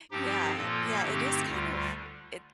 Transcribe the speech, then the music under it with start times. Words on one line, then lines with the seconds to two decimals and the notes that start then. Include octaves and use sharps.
Yeah, yeah, it is kind of it
0.11 G2 F3 C4 D#4 G4
0.56 A#2 F3 A#3 F4 A4
1.01 G2 D3 A3 C4 D#4 G4
1.46 D2 D3 G3 F4